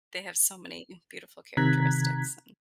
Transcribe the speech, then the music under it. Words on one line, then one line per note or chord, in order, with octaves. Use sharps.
they have so many beautiful characteristics and
C3 D#3 A#5 F#6 G#6 B6